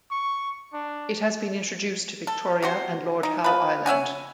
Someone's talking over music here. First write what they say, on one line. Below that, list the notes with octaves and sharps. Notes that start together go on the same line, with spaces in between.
It has been introduced to Victoria and Lord Howe Island.
C#6
D4
A4
C3 F#4 C5
D#4
F3 B4
C#5 E5 F#5 G#5